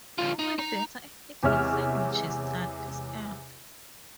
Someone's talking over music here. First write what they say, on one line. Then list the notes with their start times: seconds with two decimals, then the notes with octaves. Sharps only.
I’m way better at eating sandwiches than this girl.
0.19 D3 F4
0.39 D#4
0.59 D#4 A#5
1.43 E2 C3 G#3 C#5 E5 F6